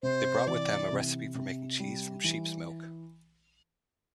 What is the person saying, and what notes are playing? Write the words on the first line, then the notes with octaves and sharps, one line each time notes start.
They brought with them a recipe for making cheese from sheep's milk.
C3 C5
E3 D5
C3
C3
G3
E3